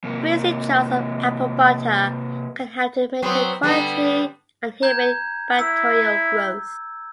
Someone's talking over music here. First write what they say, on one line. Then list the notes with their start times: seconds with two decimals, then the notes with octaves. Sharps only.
Freezing jars of apple butter can help to maintain quality and inhibit bacterial growth.
0.04 C3 A#3
3.22 F#3 B3 C4
3.63 D3 G3 B3
4.82 A#5 G6 G#6
5.59 E4 E6